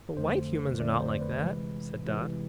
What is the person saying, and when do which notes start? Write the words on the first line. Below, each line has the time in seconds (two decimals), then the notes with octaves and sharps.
"But white Humans are not like that," said Dot.
0.17 F2 D3 A3 C5
0.80 F2 D3 A3 D5
1.01 C5
1.21 B4
1.42 C3 E3 G#3
2.05 C3 E3 G#3